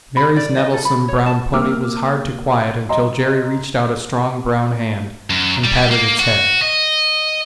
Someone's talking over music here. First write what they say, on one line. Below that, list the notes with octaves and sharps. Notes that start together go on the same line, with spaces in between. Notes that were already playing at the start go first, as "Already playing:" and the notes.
Mary's nettlesome brown pony was hard to quiet until Jerry reached out a strong brown hand and patted its head.
B5
D5
D#5
A4
B5
C#5
A5
A#3 D6 E6 F6
D#5 A#5 C6
F#2
G3
A#3
F#4
D#5